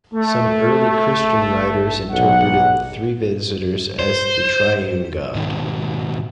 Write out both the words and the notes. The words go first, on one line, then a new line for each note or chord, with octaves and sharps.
Some early Christian writers interpreted the three visitors as the triune God.
A3
B1 F#5
C5
G#2 B2 D#3